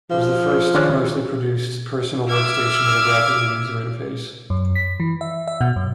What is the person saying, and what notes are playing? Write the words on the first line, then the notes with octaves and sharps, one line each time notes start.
It was the first commercially produced personal workstation with a Graphical User Interface.
F3
D#3 C#4 D4 G#4 C#5
E5 D6 E6 F6 G#6
F#2
B6
E3
E5
E5
B2
F#2